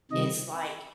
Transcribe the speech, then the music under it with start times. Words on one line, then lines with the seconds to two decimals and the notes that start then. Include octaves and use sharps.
It's like
0.11 C3 D#3 G3 D#5